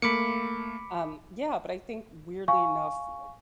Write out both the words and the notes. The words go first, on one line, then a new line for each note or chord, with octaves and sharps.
um, yeah, but I think, weirdly enough, m
A3 A#3 B5 D6 C#7
F5 G#5 C#6